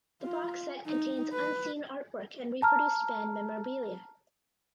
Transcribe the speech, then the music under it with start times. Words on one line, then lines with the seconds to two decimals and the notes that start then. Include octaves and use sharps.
The box set contains unseen artwork and reproduced band memorabilia.
0.23 F4
0.87 D#4
1.33 B4
2.62 A5 A#5 F6